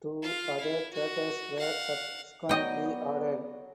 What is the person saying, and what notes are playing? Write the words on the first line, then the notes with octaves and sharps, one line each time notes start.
Two other theatres were subsequently added.
F4 F5
E4
F#4
F5 F#5
F#3 B3 D5 D#5 G5